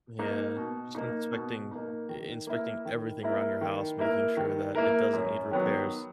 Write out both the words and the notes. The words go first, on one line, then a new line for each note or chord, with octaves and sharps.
Yeah, just inspecting i inspecting everything around your house, making sure that it doesn't need repairs,
A#3 D#4
B2
A#3 D#4
B2
A#3 D#4
D#3
A#3 E4 A#4
D#3
A#3 E4 A#4
D#3
A#3 E4 A#4
D#3
A#3 E4 A#4
F#2
D#3 F#3 B3